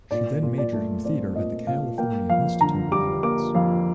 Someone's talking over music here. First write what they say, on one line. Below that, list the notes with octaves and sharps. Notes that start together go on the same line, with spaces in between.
She then majored in theatre at the California Institute of the Arts.
A#2 D5
A#2
D5
A3
C4 D5
A#2 D#5
A#2 F5
A#3 G5
F2 F5
D3 A#5
G3 D6
A#3 D6
F2 F5